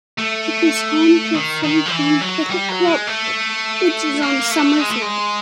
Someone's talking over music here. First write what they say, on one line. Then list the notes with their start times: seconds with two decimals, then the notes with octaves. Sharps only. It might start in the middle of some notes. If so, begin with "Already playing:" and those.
It is home to Farncombe Cricket Club which is on Summers Road.
0.19 A3
1.34 D#3
1.63 D#3
1.86 F3
1.92 E3
2.21 F#3
2.50 G3
2.69 F#3
2.88 G#3
3.07 A3
4.22 A#3
4.51 A3
4.80 G#3
4.91 A3
5.02 G#3